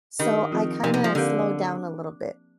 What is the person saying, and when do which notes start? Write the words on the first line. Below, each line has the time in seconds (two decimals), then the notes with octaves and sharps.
so I kinda slowed down a little bit.
0.19 D#3 D4 G4 A#4 D#5
0.51 F3 C4 F4 G#4
0.83 C3 F3 A#3 D#4 G4 A#4
0.94 C3
1.04 F3
1.15 D3 C4 G4 A#4 F5